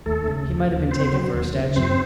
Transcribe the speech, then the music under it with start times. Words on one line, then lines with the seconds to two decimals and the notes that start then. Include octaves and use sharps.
He might have been taken for a statue.
0.06 D#2 A3 A4
0.28 C#3
0.48 D#2
0.70 D#2
0.91 C#3 C4 C5
1.12 F#3
1.34 D#2
1.55 C#3
1.76 F#2 C4 C5